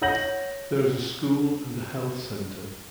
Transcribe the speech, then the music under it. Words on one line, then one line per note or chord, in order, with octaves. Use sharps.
There is a school and a health centre.
C#5 F#5 G6 A#6 F#7